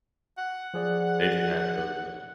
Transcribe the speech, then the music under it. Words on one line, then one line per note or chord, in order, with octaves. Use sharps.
They just had those, uh
F#5
F3 G#4 D5